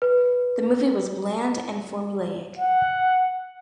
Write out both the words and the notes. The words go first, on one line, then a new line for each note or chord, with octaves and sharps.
The movie was bland and formulaic.
B4
F#5